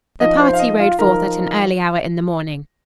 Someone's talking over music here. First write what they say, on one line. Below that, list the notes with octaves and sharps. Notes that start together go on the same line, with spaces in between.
The party rode forth at an early hour in the morning.
F3 D#4 D#5
C5
F5
D#5
F4 F5
F3 D#4 A#4 A#5